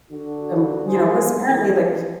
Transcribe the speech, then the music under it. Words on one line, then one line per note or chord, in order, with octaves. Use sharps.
um you know, 'cause apparently, like,
D3 F#4
G2 D#3 E4 G#4 C5
B2 E3 F3